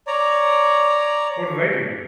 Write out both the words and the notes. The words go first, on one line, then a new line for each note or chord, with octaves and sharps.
What do they do?
C#5 D5 A#5